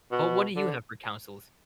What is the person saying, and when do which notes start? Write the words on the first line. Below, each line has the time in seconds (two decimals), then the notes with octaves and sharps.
but what do you have for consoles?
0.11 B2
0.56 D3